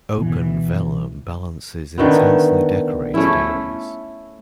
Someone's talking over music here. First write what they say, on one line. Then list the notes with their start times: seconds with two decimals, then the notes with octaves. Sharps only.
Open vellum balances intensely decorated areas.
0.18 B2 E3
1.98 D3 D#3 A3 B3
3.14 A3 C#4 E4